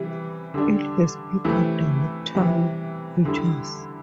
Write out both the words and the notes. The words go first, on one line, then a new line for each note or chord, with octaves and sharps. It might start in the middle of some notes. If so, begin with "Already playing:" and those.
It has Picard dialectal features.
Already playing: C3 E3 G3
D3 G3 D4
C3 E3 A3 E4
C3 E3 G3
D3 G3 E4